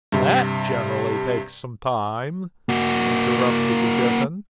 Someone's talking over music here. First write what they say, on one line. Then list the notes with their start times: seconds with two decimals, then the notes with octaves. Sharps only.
'THAT generally takes some time,' interrupted the Gryphon.
0.12 G2 C3
2.69 A#3 F#4